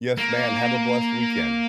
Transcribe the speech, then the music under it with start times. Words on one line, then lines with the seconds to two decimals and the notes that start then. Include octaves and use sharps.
Yes, ma'am, have a blessed weekend.
0.18 A#3